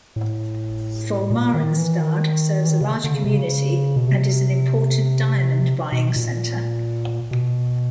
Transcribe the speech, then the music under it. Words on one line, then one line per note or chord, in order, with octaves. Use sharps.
Wolmaransstad serves a large community and is an important diamond buying centre.
A2
A#2
D#3
E3
D#3
E3
D#3
C#3
D3
C#3
C3
C#3
B2
C3
B2
A#2
B2